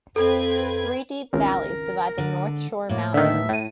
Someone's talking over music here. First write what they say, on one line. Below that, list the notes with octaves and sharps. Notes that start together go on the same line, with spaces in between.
Three deep valleys divide the North Shore Mountains.
F2 C4 A4 B4 G#6
G#1 C#2 A#4
D3
A2 A#3
D#2 D3 D#3 B3 E5
A2 D#7